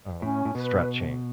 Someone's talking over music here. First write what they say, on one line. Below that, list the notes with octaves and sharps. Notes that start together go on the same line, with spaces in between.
um, stretching.
A2 C#4
A2
B2 B4